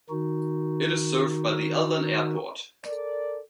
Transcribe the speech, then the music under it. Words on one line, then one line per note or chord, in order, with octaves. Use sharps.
It is served by the Aldan Airport.
D#3 D#4 F#4
A4 A#4 D5